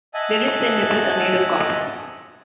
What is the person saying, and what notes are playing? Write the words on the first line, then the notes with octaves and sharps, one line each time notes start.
Their lips and nipples are made of copper.
D#5 E5 F#5 G#5 A5